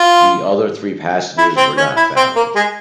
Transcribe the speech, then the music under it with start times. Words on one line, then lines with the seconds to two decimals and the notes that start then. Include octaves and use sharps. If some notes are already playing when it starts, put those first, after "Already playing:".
The other three passengers were not found.
Already playing: F4
1.38 E4
1.57 C4
1.77 C#4
1.96 E4
2.16 C4
2.36 A#3
2.56 G#3